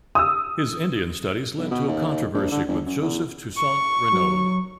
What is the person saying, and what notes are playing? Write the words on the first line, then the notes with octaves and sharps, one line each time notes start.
His Indian studies led to a controversy with Joseph Toussaint Reinaud.
D#6 E6
B1
B2
D#2
A#1
D3
G1
F#2
E2
C#6
F#3